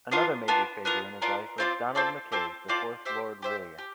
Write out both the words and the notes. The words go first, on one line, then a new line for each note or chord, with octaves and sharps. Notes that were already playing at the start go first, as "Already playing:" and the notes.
Another major figure in his life was Donald MacKay, the fourth Lord Reay.
B3 D4 F4 A#4
B3 D4 F4 A#4
B3 D4 F4 A#4
B3 D4 F4 A#4
C4 F4 A4 D5
C4 F4 A4 D5
C4 F4 A4 D5
C4 F4 A4 D5
G4 C5 E5
G4 C5 E5
G4